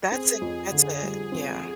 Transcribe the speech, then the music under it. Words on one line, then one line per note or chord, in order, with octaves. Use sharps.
that's it, that's it, yeah.
C4 G#4
F2
D3
G3
C4